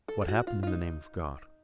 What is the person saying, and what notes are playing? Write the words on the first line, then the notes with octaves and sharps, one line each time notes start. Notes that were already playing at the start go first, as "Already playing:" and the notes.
What happened in the name of God?
A4
A4
F#4
F4
F4
D#4